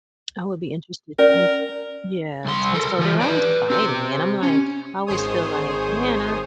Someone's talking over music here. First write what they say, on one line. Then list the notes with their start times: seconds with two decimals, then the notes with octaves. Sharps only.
I would be interested interested yeah, and so they're always fighting, and I'm like I always feel like, "Man, I"
1.19 C#4 A#4 D5
2.45 C2 C6
2.74 A4 A#4
2.99 E3 F4
3.21 B4 D5
3.70 C4 G4
4.43 C#4
5.06 G#1 D#3 G#4 C5 C#5 D#6